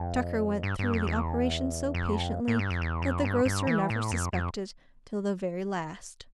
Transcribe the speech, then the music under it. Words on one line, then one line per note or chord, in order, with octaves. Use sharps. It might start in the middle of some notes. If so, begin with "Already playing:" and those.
Tucker went through the operation so patiently, that the grocer never suspected till the very last.
Already playing: F2
G2
G2
F2
E2
F2
A2
G2
F2
E2
F2
G2
G2
E3
A2
F2
F2